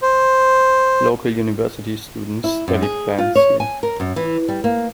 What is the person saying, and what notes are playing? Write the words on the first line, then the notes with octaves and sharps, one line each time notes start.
Local university students study plants here.
C5
E4
F#2
G#4
F4
C#5
G#5
A#4
F#2
E3
G3
A#3